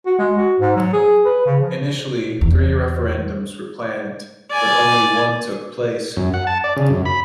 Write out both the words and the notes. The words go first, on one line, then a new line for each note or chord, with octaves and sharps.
Initially, three referendums were planned, but only one took place.
F#4
G#3
F#4
G#2
F#3
G#4
B4
C#3
F3
E2
D5 G#5
F#2
F#5
A5
D5
C#3
F#2
B5